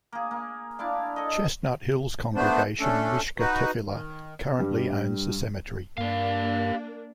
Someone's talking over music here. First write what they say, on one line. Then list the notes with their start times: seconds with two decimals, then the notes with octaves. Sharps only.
Chestnut Hill's Congregation Mishka Tefila currently owns the cemetery.
0.12 A#3 G#4
0.31 A#3
0.79 D4 E4 D5 F5
1.16 A4 D#5
2.35 A3 B3 D4 C5
2.79 A3 C#4 D4 A4
3.38 D#4 F#4 B4
3.86 D#3
4.59 G2 G3
5.98 G2 A#3 D4 G4 F5